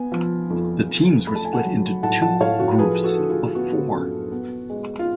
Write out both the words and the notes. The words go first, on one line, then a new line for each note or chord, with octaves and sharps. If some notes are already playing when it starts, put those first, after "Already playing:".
The teams were split into two groups of four.
Already playing: B3 G#5
F3
F2
F2
A3 B5
A5
G#5
F#5 A5
F#3
A2 F#5 A5
F#5 A5
A2 C#5 F5
F#4
F3 G#4 B4
F#4 A4
D3
F4 G#4
B3 F#4
F#2
B3
G#3
F4